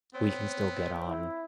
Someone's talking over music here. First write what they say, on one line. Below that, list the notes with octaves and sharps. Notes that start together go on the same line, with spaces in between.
we can still get on
B3 C4 C#5
E4